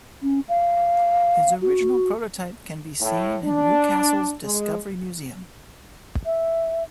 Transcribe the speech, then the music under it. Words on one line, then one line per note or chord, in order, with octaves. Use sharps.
His original prototype can be seen in Newcastle's Discovery Museum.
C#4
F5
F#4
A2
D4
G#3
E5